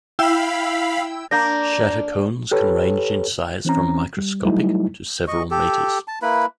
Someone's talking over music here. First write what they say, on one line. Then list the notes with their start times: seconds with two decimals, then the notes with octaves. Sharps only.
Shatter cones can range in size from microscopic to several meters.
0.19 E4 F5 G5 B5 E6
1.31 A#3 D4 A#5 G6 A#6
2.51 G4 A4 B4 C#5
3.65 E3 C4 C#4 A#5
4.17 G3
4.44 F#3 G3 A3 D#4 E4
5.28 D#5 C#6
5.51 G4 A4
6.08 A5
6.22 A#3 E4 B4 B5